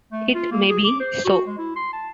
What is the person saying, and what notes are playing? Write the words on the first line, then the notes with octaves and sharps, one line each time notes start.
It may be so.
A3
F4
A#3
G#4
D6
C5
F#4
G#3
E4
C6
A5